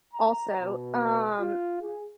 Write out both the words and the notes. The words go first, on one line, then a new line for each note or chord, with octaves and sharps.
Also, um,
A#5
B2
F4
G#4